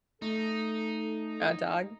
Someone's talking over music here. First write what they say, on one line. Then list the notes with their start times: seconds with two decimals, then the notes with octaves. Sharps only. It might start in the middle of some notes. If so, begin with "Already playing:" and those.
A dog?
0.22 A3 D#4 A4